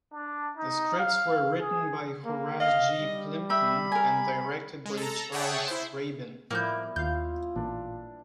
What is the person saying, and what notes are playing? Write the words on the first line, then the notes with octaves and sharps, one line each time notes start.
The scripts were written by Horace G. Plympton and directed by Charles Brabin.
D4
D#4
F5
G#4
A#3
D#5 F5
G3
E5 G5 B5
A#4 G#5
G#3
A4 A#5
G#4 C#5 E5 F#5 G5 A5
E4 C5
A2 F3 G3 A#3 B3 E4 C#6 G6
D#2 F4 F5 G6
A1 A#2 D4